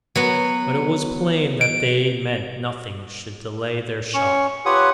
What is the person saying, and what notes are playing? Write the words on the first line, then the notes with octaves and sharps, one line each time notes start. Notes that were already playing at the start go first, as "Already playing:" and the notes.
But it was plain that they meant nothing should delay their shot.
F#3 B3 B4
D7
C#4 C#6
F4 G4 B4 C#5 F#5 D#6